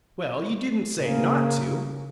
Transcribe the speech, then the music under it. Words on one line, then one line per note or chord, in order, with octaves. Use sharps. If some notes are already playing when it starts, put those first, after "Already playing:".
"Well, you didn't say not to."
C#3 A#3